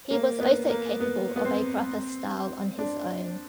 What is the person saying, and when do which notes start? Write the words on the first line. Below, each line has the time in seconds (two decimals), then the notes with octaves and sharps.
He was also capable of a gruffer style on his own.
0.11 A#3
0.40 B3
0.70 A#3
1.00 B3
1.36 B3
1.45 C4
2.79 D4